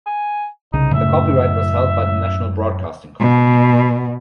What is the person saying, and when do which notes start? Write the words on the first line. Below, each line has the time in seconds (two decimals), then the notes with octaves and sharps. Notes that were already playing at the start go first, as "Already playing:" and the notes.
The copyright was held by the National Broadcasting Company.
0.07 G#5
0.74 C2 C#3 D#4
0.94 F#2 A2 A3 E5
3.19 B2